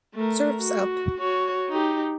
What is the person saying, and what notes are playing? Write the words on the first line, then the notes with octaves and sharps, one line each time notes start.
Serfs Up!
A3 A#4
F#4
F#4 C#5
D#4 G4